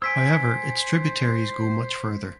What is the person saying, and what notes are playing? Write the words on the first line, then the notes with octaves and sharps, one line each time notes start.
However its tributaries go much further.
C5 G#5 E6 G#6 B6 D7